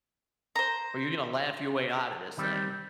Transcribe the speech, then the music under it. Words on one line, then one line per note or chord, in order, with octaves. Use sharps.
or you're gonna laugh your way out of this thing."
C5 A#5
D#3 G3 C4